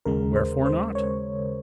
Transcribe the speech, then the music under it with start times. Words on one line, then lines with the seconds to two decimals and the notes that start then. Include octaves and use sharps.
Wherefore not?
0.05 D#2 C#3 G#3 A#4
0.36 C5
0.66 C5
0.95 C#5